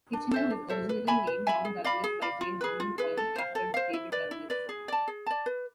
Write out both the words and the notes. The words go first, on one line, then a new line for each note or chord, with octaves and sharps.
Kitchener was originally named Mount Douglas by J. Norman Collie after David Douglas.
D4
A4 C5 E5
D4
A4 C5 E5
B4
E5 G#5 B5
B4
E5 G#5 B5
G#4
D5 F5 B5
G#4
D5 F5 B5
F4
G#4 B4
F4
G#4 B4
A4
C5 F5
A4
C5 F5
E4
B4 D5
E4
B4 D5
G#4
D5 A5
G#4
D5 A5
B4